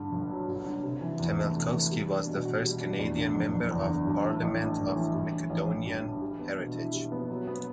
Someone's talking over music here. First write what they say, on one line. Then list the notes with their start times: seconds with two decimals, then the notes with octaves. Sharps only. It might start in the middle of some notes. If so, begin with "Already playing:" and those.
Temelkovski was the first Canadian Member of Parliament of Macedonian heritage.
Already playing: G2 D3
0.12 G1
0.30 F#3
0.48 G2
0.65 D3
0.83 C3
1.01 E3
1.19 E2
1.38 A3
1.55 C3
1.73 E3
1.91 G3
2.09 D4
2.27 B2
2.45 F#4
2.63 G3
2.81 D4
2.99 E2
3.17 D3
3.35 F#1
3.52 F#1
3.71 E2
3.89 D3
4.06 G2
4.25 E3
4.43 A1
4.60 A3
4.79 G2
4.96 E3
5.14 G2
5.32 D3
5.50 A1
5.68 A1
5.86 G2
6.04 D3
6.22 G3
6.40 B3
6.58 B2
6.76 E4
6.94 G3
7.12 B3
7.30 F#3
7.47 B3